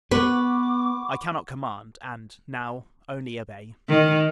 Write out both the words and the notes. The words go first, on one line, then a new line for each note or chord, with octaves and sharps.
I cannot command; and, now, only obey.
B3 B4 F#5 B5 C#6 D6
D#3